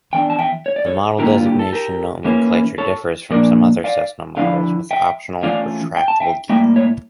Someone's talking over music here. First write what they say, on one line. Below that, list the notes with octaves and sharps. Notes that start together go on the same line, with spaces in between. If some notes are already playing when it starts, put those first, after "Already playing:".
The model designation nomenclature differs from some other Cessna models with optional retractable gear.
E2 E3 D4 G5
A5
E5 G5
C#5
D5
A4 C#5
D3 G3 A#3 E4 G4 A#4
F4
G4
A4
G4 A#4
E3 A#3 C#4 E4
A4 C#5
A#2 F3 A#3 D4 A#4 D5
D5 F5
D3 F3 C#4 E4 D5 F5
E5 G5
E3 A3 C#4 F4 D5 F5
G5
A5
E5 G5
A2 G3 A#3 E5 G5
C#5 E5